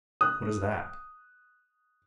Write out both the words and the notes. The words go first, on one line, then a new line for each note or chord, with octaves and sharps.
"What is that?"
D#6 F#6